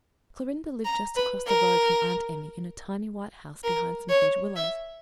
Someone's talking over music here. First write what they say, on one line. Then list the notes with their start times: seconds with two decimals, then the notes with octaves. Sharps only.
Clorinda lived just across the road from Aunt Emmy in a tiny white house behind some huge willows.
0.85 A#5
1.16 B4
1.47 A#4
3.64 A#4
4.09 C#5
4.56 E5